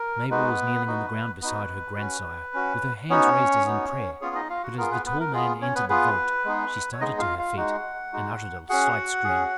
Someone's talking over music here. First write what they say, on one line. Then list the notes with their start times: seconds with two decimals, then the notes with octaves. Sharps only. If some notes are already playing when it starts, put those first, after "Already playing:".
Mabel was kneeling on the ground beside her grandsire, with her hands raised as in prayer, but as the tall man entered the vault, she started to her feet, and uttered a slight scream.
Already playing: A#4
0.30 G#3 B3 D#4 F#4 B4
0.86 B3 D#4 F#4
1.42 B3 D#4 F#4 B4
1.97 C#4 F#4
2.54 C#4 F#4
3.10 B3 C#4 D#4 F#4 C#5
3.65 B3 D#4 F#4
4.21 B3 C#4 F4 G#4 C#5
4.35 D#4 D#5
4.50 F4 F5
4.63 F#4 F#5
4.77 B3 F4 G#4 A#4
4.91 B3 B4
5.05 B3 B4
5.20 A#4
5.33 B3 F4 G#4
5.61 C#4 C#5
5.75 B3 B4
5.89 B3 F4 G#4 B4
6.45 G#3 B3 D#4 G#4
6.93 C#5
7.01 G#3 B3 D#4 G#4 D#5
7.19 F4 F5
7.38 F4 F5
7.57 G#3 D#4 F#4 F#5
8.13 G#3 D#4 F#4
8.69 C#4 F#4 G#4 F#5
9.24 C#4 G#4